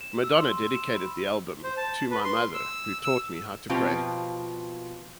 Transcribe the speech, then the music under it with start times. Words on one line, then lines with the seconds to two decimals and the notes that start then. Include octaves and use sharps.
Madonna dedicated the album to "My mother, who taught me how to pray".
0.01 E7
0.24 E6
0.37 C6
0.51 C6
0.74 E7
0.94 B5
1.64 C5
1.77 A5
2.11 B4
2.24 C6
2.54 E6
3.04 E6
3.70 B2 F3 B3 C4 F4 G4